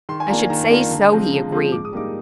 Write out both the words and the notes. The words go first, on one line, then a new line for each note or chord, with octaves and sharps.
"I should say so," he agreed.
D#3 C6
G#5
A#3 D4 F4 A#5
G#5
D#3 A#5
A#3 D4 F4
D3
F3 G#3 C4 F4
D3
F3 G#3 C4 F4
G#2 D6
D#6
G3 A#3 D#4 D6